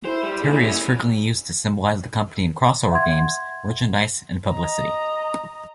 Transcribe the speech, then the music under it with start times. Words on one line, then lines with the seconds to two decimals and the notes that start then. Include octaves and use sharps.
Terry is frequently used to symbolize the company in crossover games, merchandise and publicity.
0.05 E4 C5
0.23 G3
0.41 D#2 A#2 G#4
0.53 C2 C#4 E4
2.91 E5 F#5 C6 G#6
4.51 D#5 A#5